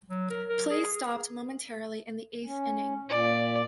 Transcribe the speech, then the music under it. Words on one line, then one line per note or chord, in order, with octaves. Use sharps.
Play stopped momentarily in the eighth inning.
F#3
A#4
A#4
G#4
C#4
A#2 D5